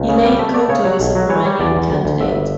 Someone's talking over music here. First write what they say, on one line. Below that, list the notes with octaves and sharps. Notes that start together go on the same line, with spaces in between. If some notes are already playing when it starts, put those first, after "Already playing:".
Elaine Couto is a perennial candidate.
Already playing: C#2
C#3
G3
A3 E5
A3 D5
C#3 C#5
F#3 C#5
B1
F#3
E3 C#5
G3 C#5
E2 D5
E2
D2
D2
G1 E5